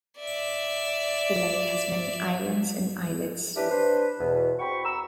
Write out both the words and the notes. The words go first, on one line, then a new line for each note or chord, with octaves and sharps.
The lake has many islands and islets.
D5 E5
C#4 D4 E4 G4 A#4 B4
D4 B4 C5
E2 B2
C4 F#4 G5 B5 C#6
A#5 E6